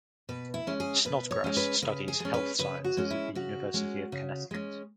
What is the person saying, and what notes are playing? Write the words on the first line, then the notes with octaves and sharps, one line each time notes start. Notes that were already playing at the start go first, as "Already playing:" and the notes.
Snodgrass studies health sciences at the University of Connecticut.
B2 B4
E4
G#3 C#4
G#4
B2 B4
C#5
G#3 C#4
B4
C#3 B4
G#4
G#3 C#4
B4
C#3 B4
F#4
G#3 C#4
E4
C#3 F#4
G#3 C#4
C#3
G#3 C#4